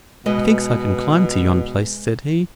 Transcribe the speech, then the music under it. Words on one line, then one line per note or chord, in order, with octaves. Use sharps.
"Methinks I can climb to yon place," said he.
B2 G#3 B4 D#5